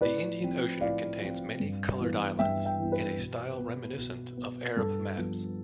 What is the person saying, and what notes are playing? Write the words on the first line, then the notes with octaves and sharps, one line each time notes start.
The Indian Ocean contains many colored islands, in a style reminiscent of Arab maps.
A2 B4 D5
F3 C4
A2 D5 F5
F3 C4
G2
E3 B3
G2 E5 G5
E5 G5
E3 B3
B4
B2
B3
B2
B3
G2 A4
F3 B3